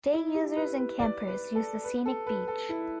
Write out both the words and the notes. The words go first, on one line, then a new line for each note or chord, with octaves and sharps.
Day users and campers use the scenic beach.
E4
G4
B4
B4
D5
B4
A4
B4
A4
B4
A4
E4